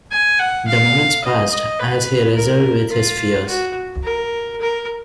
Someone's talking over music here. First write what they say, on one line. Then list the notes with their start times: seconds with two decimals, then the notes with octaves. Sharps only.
The moments passed as he wrestled with his fears.
0.12 G#5
0.39 F#5
0.68 F5
1.24 D#5
1.52 D#5
1.80 B4
2.36 A#4
2.92 F4
3.48 F#4
4.04 A#4
4.61 A#4